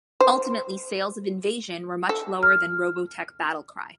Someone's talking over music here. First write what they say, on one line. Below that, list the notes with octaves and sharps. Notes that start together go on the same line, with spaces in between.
Ultimately sales of Invasion were much lower than Robotech: Battlecry.
C5
A4
F6